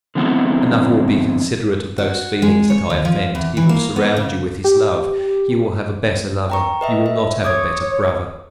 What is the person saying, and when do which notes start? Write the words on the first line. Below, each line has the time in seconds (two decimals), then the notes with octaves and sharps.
Another will be considerate of those feelings that I offend, he will surround you with his love; you will have a better lover, you will not have a better brother.
0.15 D3 F3 G#3 B3 C4 E4
1.98 F#4
2.42 G#3
2.70 C#5
2.90 D#2
3.05 F3
3.35 E2
3.57 E3
3.69 A#3
3.96 B3
4.16 C#3
4.64 G4
6.50 G5 A#5 C#6
6.81 B4 D#5 E5
7.06 E5
7.44 C#5 D6 D#6 G#6